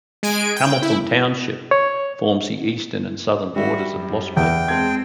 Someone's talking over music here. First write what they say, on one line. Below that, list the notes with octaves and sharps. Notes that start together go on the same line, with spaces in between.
Hamilton Township forms the eastern and southern borders of Blossburg.
G#3 G#5 D7
G5
E4
C#5
G3 F#4 E5
F#2
E2 G5
G#3 C4 A5 G#6